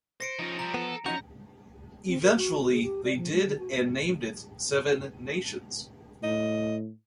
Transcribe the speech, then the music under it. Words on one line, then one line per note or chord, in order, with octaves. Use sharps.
Eventually they did and named it Seven Nations.
C5 A#6 C#7 D7
C#3 F3 D#4
C3 G3 A#5
B3 A4
F3 C#4 D#4 F#4 A#5 G6
C4
A#4
F#4
F#4
G#4
G4
D5
F3
G#3
D3
F#4
A2 D#5